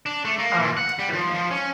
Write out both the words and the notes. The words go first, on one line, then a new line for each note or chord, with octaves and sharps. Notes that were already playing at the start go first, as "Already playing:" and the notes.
Oh, it's perfect.
D4
A3
A#3
A#2
F#5
G3
F3
F3
C#4